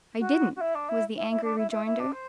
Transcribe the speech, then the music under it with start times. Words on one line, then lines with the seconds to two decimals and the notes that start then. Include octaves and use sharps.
"I didn't," was the angry rejoinder.
0.19 F#4
0.56 F#4
0.60 E4
0.75 D4
0.89 E4
1.16 E4
1.30 E4
1.43 D4
1.58 E4
1.71 E4
1.85 E4
1.99 D4
2.12 C5